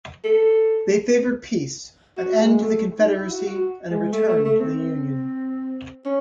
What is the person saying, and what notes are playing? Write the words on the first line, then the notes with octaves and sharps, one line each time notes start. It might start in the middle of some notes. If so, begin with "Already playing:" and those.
They favored peace, an end to the Confederacy, and a return to the Union.
A4
F#4
G#3
A3
D#4
E4
F#4
F#4
G#3
A3
A3
A3
C4
C#4